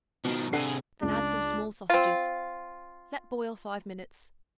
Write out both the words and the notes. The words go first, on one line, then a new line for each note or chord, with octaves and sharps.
Then add some small sausages. Let boil five minutes.
B2 D#3 F3
C3 D4 G#4 A4 F#5 C7
C#2 D4
C4 F4